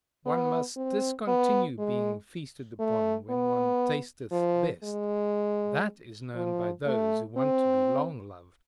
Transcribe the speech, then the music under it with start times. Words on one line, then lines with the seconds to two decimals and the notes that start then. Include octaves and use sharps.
One must discontinue being feasted upon when one tasteth best: that is known by those who want to be long loved.
0.26 B3
0.76 C4
1.27 B3
1.78 G#3
2.79 A3
3.30 B3
4.32 F3
4.83 G#3
6.35 F3
6.86 A3
7.37 C4